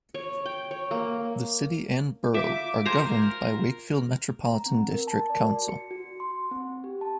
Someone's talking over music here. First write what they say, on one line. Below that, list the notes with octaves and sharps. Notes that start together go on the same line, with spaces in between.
The City and borough are governed by Wakefield Metropolitan District Council.
C#5
G5
C#5
A#3
F4 E5 D6 B6
A#4 C5 G#5 A#5
A#5
C4
A#4
A5
D5
F#4
C#7
F#4
C6
C4
G4
A5